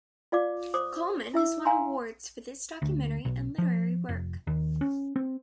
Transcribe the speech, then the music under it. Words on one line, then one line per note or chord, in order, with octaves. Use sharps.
Coleman has won awards for this documentary and literary work.
F4 D5 F5 D6
C5 D6 D#6
E4 E5 E6
F5 G#5 A#5 C6
D2
B1
F3
F1
D#2
C#4
C4